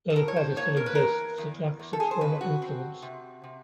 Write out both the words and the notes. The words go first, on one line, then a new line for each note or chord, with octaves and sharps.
Though the party still exists, it lacks its former influence.
A4
A2 A#4
C#5
C5
A#3 C#5
A#4
B4
E2 A#4
E2
E2
A4
G#4
C5
C#3 B4
F#4
C4
C3
C3